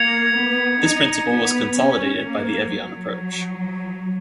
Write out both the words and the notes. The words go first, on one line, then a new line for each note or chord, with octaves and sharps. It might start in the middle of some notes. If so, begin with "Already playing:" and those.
This principle was consolidated by the Evian Approach.
Already playing: A#3 G#6 C#7 F7
B3
D#4
B3
C#4
A#3
F#3